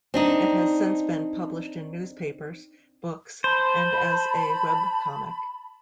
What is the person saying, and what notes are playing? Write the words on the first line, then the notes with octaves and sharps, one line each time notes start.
It has since been published in newspapers, books, and as a webcomic.
C4 D4 D#4
C5 A5 B5